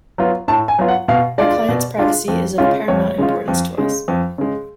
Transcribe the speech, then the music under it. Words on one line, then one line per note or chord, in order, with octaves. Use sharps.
Our client's privacy is of paramount importance to us.
F#3 B3 F4
A2 A5
G#5
F#3 B3 F4
F#5
B2 F5
G#3 D4 F4 D5
B2
G#3 D4 F4
F2
C#3 G#3 C#4 F4
F2 C#5
C#3 G#3 C#4 F4
F2
C#3 G#3
F2
C#3 G#3